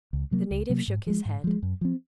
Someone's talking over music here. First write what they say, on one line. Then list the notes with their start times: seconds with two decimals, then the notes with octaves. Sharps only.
The native shook his head.
0.13 C#2
0.31 C3 F#3 A#3
0.51 C#2
0.70 C3 F#3 A#3
0.88 G#2
1.07 F3 G#3
1.25 G#2
1.44 F3 G#3
1.63 F#2
1.81 F3 C4